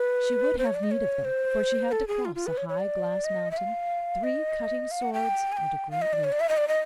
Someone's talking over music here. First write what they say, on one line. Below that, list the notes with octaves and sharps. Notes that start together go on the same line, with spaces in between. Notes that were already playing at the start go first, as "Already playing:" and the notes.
She would have need of them, for she had to cross a high glass mountain, three cutting swords, and a great lake.
Already playing: B4
C5
C#5
D5
D#5
C#5
C5
A4
G#4
F4
F4
B4
C#5
C#5
D5
D#5
E5
F5
D#5
F5
F#5
G5
G#5
G5
F5
D#5
D5
C#5
D5
E5
D#5
D5
D#5